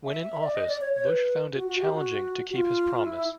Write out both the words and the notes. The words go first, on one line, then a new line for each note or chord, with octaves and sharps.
When in office, Bush found it challenging to keep his promise.
E5
D5
D#5
D5
C#5
C#5
B4
F#4
F#4
G4
F#4
F#4
F4
F4
E4